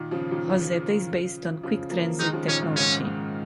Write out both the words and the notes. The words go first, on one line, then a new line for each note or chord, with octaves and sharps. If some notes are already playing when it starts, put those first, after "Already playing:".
Rosetta is based on QuickTransit technology.
Already playing: A#2 D#3
C#3 F3
A#2 D#3
C#3 F3
C#3 F3
F3 A#3
D#3 G#3 D#4
C#3 F3
A#2 D#3 C#4
G#2 C#3
G#2 C#3 C#4
G#2